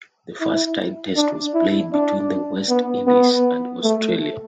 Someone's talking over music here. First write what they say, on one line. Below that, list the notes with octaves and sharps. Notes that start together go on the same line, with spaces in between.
The first tied Test was played between the West Indies and Australia.
E4
D4
E4
D4
B3
B3
A3